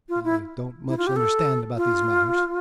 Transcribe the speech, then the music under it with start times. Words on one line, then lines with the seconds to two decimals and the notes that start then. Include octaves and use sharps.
I don't much understand about these matters.
0.09 F4
0.24 E4
0.89 E4
0.98 F4
1.07 G4
1.16 A4
1.77 F4